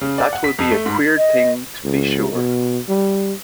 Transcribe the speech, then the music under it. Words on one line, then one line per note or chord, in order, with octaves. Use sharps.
That will be a queer thing, to be sure!
C#3
D5
F#5
B6
F2
A3
G#2
D#5
C#2
B2
G3